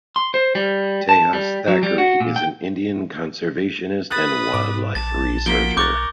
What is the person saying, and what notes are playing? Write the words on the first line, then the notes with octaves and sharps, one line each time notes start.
Tejas Thackeray is an Indian conservationist and wildlife researcher.
C6
C5
G3
A5
G3
F#3
G3
F#4
A#2
G5
B4 D#6 F#6 A6
G#2 D6
A#1 A5 A6
F3 A#3 F#4 B6 D7 G7
B1 A#4 C#6 D6 F#6 G6 A6